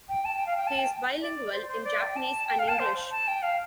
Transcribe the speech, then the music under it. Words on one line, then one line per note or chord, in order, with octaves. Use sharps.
He is bilingual in Japanese and English.
G5
A5
G5
F5
G5
A5
G5
D5
C5
C5
D5
G5
A5
G5
F5
A5
C5
A5
G5
F5